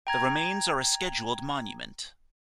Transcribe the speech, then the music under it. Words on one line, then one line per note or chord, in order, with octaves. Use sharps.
The remains are a scheduled monument.
G5 A#5 G#6